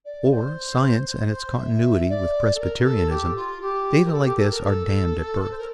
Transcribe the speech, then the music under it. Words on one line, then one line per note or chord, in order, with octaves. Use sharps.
Or Science and its continuity with Presbyterianism--data like this are damned at birth.
D5
C5
C5
C5
E5
D5
A4
A#4
A#4
A4
G4
F4
G4
A#4
A4
G4
A4
A#4
A4
C5
A#4